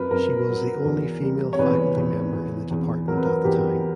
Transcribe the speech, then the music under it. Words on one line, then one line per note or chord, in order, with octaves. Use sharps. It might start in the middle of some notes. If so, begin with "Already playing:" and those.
She was the only female faculty member in the department at the time.
Already playing: F#2 A#4 B4
F#2 A#4
F#3
E2
G3
C#5
E2 B4
E2
E2
E2
F#3 A#4
B4
A#4
E2 G4